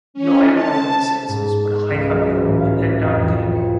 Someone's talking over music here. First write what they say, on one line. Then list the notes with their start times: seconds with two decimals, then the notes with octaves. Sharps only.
No animal in its senses would hike uphill and then down again.
0.14 C#4
0.54 A5
1.28 G#2
1.90 C#2
2.10 F#3
2.40 A1
2.60 F5
3.03 F2
3.22 F3
3.56 C#7